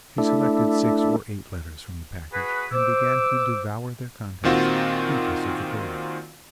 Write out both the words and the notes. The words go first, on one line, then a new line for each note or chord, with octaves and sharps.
She selected six or eight letters from the package and began to devour their contents, heedless of the cold.
A3 D4 E4
F#4 G#4 B4
C5 D6 E6
A#2 D#3 C4 F4 F#4